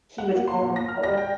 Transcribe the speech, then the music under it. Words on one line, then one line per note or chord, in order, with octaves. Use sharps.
he would fall on the floor.
F#5
A#3
C6
A#2
A#6
F6
A#6
G5